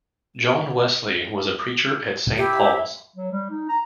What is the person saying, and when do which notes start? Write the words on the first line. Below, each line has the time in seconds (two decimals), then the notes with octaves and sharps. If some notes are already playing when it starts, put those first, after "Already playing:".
John Wesley was a preacher at Saint Paul's.
2.37 E4 G4 E5
3.16 F#3
3.31 G3
3.50 D#4
3.69 A#5